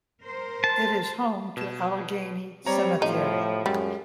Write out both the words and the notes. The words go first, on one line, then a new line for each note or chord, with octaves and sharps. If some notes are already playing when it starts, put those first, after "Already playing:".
It is home to Allegheny Cemetery.
A#4 C5
A5
B2 E7
G3 C4 C#5 A#5
A2 F3 D#4
F#2 G3 G#3